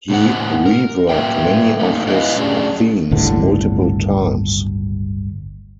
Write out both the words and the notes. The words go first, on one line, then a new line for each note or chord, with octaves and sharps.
He reworked many of his themes multiple times.
A2 D3 A#3 C4 F#5
A#4
A#3 B4 E5 G5
A3 A#3 D#4
E4 G4 B4 D#5 F5
F#3 A3 C#4 D4 G#4
G1 C#2 A2 D3